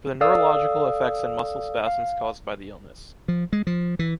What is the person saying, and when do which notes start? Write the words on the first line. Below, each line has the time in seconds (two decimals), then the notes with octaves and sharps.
For the neurological effects and muscle spams caused by the illness.
0.21 A4 D5 F5 D#6 E6
1.87 F5
3.28 F3
3.53 G#3
3.67 F3
3.99 E3